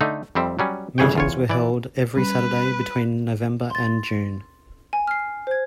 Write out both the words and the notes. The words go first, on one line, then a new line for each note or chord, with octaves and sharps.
Meetings were held every Saturday between November and June.
D3 A3 D#4
F2 G3 C4 E5
F#3 G3 C#4
G1 C#3 E3 G#4 C#5 G5
E2 F4 C#5
E3 D5
G3 C#4 B4
C6 A6
G#5
F6 C7
C5 G#6